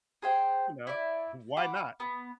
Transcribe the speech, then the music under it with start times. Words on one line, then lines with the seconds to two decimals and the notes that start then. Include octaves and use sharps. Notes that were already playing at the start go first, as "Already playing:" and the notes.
you know, why not?
0.22 G#4 C5 G5
0.87 E4 D5
1.57 F#5 B5 D6
2.00 B3